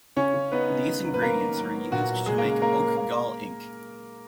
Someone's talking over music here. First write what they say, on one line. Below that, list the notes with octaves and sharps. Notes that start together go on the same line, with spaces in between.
These ingredients were used to make oak gall ink.
C#3 C#4 C#5
C#3
B3 D#4 B4
C#3
D#3
F#3
B4
F#3 A#3 A#4
D#3
F#3
B3
A#2 F#4
F#3
G#3 G#4
A#3 A#4
C#3
A#3 C#4 A#4
G#3
A#3